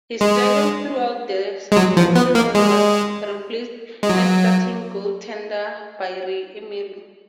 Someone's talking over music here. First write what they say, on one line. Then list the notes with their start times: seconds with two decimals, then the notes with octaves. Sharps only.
He struggled throughout the season and was replaced as starting goaltender by Ray Emery.
0.21 G#3
1.72 G#3
1.77 F#3
1.97 F3
2.16 B3
2.35 A#3
2.55 G#3
4.03 G#3
4.09 F#3